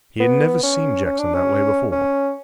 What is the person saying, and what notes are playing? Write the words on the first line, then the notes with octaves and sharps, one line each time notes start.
He had never seen Jackson that way before.
B3
C#4
C#4
D4
C#4
C#4